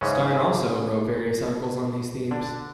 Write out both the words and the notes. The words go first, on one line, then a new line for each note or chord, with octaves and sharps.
Stein also wrote various articles on these themes.
G#2 C#3 E3 C#4
D3 D4